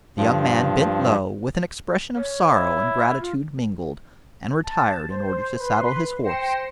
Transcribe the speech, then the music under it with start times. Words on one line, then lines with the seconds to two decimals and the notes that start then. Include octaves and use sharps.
The young man bent low, with an expression of sorrow and gratitude mingled, and retired in order to saddle his horse.
0.18 G2 F3
2.15 C#5
2.54 E4
3.20 F4
4.63 A5
5.10 C5
5.59 B4 C6
6.23 C5 G5 A#6 C7 C#7 E7